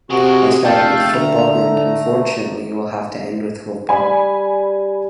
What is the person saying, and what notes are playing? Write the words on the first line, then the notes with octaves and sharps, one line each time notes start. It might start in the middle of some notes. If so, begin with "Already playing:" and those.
I started with football and, unfortunately, will have to end with football.
C3 G#3 F#4 A#4
F1 A3 F5 G5 A5
D3 A3 A#5
G3 G#5 B5